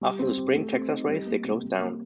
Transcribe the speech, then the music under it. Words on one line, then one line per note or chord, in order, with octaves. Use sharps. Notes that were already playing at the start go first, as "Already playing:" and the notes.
After the spring Texas race, they closed down.
G3
C4
G4
A3
C4
D#4
G3
A#3
C3
G3
A#3